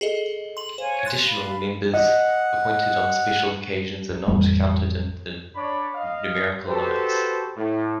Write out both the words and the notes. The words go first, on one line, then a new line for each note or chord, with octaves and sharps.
"Additional" members, appointed on special occasions, are not counted in the numerical limits.
G#4 A4 D#5
C6 F#7
C5 C#5 F5 G#5
C6 F#6 A6
F5 B5
D#5 F#5
A1 F2 G3 A3
D4 C#5 D5 B5
D#5 F5
F#4 G4 A4 B4 C5
A2